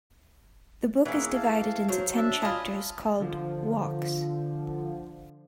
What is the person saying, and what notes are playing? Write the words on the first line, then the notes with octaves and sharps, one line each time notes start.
The book is divided into ten chapters called "Walks".
E3 G#3 A#3 C#4 F#5
F5 A5
F#3 C5
D4 E5 A5
F4 D#5 G#5 A5 B5
D3 F3